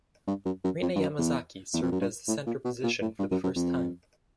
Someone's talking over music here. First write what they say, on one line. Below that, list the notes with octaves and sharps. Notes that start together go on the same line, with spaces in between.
Rena Yamazaki served as the center position for the first time.
G2
F#2
F#2
F2
G2
F#2
E2
E2
F2
F#2
G2
A2
A#2
B2
A#2
A2
G2
F#2
F#2
F2